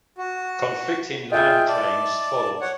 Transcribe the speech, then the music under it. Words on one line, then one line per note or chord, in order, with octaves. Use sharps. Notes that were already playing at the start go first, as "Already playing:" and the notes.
Conflicting land claims followed.
F#4
F4 G#4 D#5 E5 G5
D5 A5
C#5 F#5